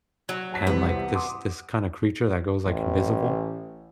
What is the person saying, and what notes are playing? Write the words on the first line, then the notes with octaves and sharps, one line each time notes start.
and, like, this this kinda creature that goes, like, invisible,
F#3
F#5 A5 B6
C2 C3 E3 B3
C6 D6 D#6
A1